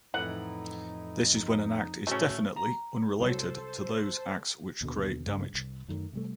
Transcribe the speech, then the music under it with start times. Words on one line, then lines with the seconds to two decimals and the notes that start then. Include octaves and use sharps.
This is when an act is definitely unrelated to those acts which create damage.
0.14 F2 A2 E3 A3 D#4 F#5
2.07 A2 C#3 A3 C#4 F#4
2.56 A#5
3.20 C2 F#3 A4 C5
4.81 D#2 B2 D3
5.25 B1 G2 C#3 D4
5.54 C2
5.88 F#2 D#3 A3
6.13 C3 G3 A3